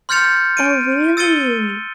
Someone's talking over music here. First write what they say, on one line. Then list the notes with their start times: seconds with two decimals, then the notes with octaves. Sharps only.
Oh, really?
0.09 C6 F6 G6 A6 C#7 F7
0.57 D7 D#7
1.17 E6 A6 C#7 D#7 G7